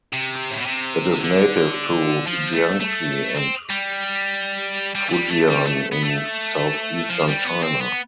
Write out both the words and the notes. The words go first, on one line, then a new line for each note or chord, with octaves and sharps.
It is native to Jiangxi and Fujian in southeastern China.
C3
A2
B2
C3
D3
F3
A3
A3
C4
G3
G3
A3
G3
A3
G3
A3
B3
A3
F3
G3
B3
C4
B3